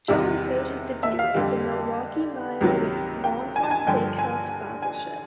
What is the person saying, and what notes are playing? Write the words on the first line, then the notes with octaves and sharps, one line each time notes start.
Jones made his debut at The Milwaukee Mile with Longhorn Steakhouse sponsorship.
E2 C3 D#3 G3 E5
E5
F5
F2 D3 G3
C#2 C3 D#3 F#3
G5
G#5
A5
G#5
G2 D3 F3 G5
G#5
G#5